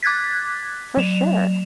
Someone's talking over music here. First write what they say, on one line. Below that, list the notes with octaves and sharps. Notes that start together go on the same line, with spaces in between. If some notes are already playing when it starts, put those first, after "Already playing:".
For sure.
D6 F#6 G#6 A6 B6
F#3 E7 F7